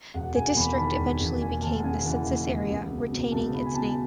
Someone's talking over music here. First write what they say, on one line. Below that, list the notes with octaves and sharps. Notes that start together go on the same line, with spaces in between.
The district eventually became the census area, retaining its name.
E1 F#5
E1 G#5
E2 B5
B5
D#3 A5
E1
E1
D#2 G#5
D#2 A5
F#5
C#3 G#5
E3 F#5
D#2
D#2
C#2
B2
B2
C#2 A5
C#2 B5
G#5
B2 A5